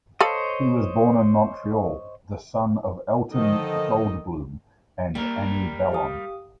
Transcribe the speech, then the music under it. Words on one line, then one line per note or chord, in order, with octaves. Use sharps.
He was born in Montreal, the son of Alton Goldbloom and Annie Ballon.
A4 C5 C#5 D#5 F5 B5
D3 D#3 F3 A4 D#5
G3 A#3 A#4
G4 F5 D#6